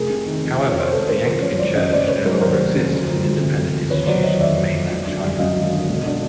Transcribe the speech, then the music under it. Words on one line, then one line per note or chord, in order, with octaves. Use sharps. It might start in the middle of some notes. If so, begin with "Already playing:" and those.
However, the Anglican Church no longer exists as an independent institution in mainland China.
Already playing: F1 G#4 A#4
C3
D#3
F2
F1
C#5
C3 C5
G#1 A4 B4
C#3 A#4 C5
F3 A#4 C5
F#2 B4 C#5
G#1 C5 D5
C#3 C#5 D#5
F1 C5 D5
C#3 B4 C#5
F#3 A#4 C5
D#2 A#4 C5
F1
C#3
D2
F3
D2
C3
D2
F3
D#2 B4 C#5
F#3 C5 D5
D#2 C#5 D#5
D#3 D5 E5
D#2
F#3
G#1
D3
G3
F#2 D#5 F5
G#1
D3
E1
D3